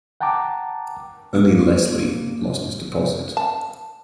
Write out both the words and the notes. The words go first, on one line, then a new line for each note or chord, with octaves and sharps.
Only Leslie lost his deposit.
F#5 G5 A5 A#5 D6
A#3
A5